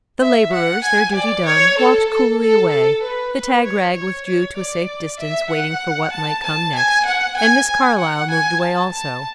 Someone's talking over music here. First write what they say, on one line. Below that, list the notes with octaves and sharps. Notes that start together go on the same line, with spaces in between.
The laborers, their duty done, walked coolly away; the tagrag withdrew to a safe distance, waiting for what might come next; and Miss Carlyle moved away also.
E5
F#5
G#5
D5
C#5
A4
A4
A4
A4
B4
B4
C#5
C#5
C#5
D5
E5
F#5
A5
A5
G#5
F#5
G#5
G#5
F#5
G#5
A5
A5